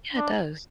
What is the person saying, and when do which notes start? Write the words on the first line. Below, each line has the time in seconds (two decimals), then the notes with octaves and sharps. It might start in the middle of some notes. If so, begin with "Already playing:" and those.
Yeah. It does.
0.17 D4